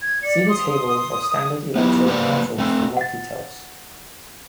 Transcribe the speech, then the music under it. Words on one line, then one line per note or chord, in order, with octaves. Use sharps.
See the "table" of standard electrode potentials for more details.
G#6
D5 C#7
C6 D#6
D#6
B3 E4 G4
A#3 G4 B4 C5 D5 F#5
A3 C4
F#5 A6